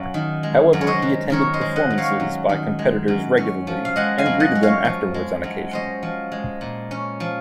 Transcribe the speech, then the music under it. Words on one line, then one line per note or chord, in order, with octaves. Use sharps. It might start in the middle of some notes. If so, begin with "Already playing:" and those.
However, he attended performances by competitors regularly and greeted them afterwards on occasion.
Already playing: F#2 C#5 F5
D#3
G#3
F#2
C#5
C5 D#5
F#2
D#3 A#4 C#5
C5 D#5
G#3
D#5 F#5
F#2
C#5 F5
F#2
D#3
G#3
F#2
C#4
F3
F5
G#3 D#5 F#5
F5 G#5
F#2
D#5 F#5
C#4
C#5 F5
F3
G#3
F#2
C#4 C5 D#5
F3
G#3
A#2
C#4
F3